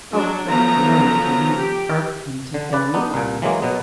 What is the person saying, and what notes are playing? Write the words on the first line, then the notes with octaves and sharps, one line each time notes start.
Of course learning to read is irksome to him.
F#3 D4
F3 F#3 A3 B3 A#5
G4
D3
B4 D5
B3 D4 D#4
C2 A#2
E3 F#3 G#3 A#3
B2 F#3 B3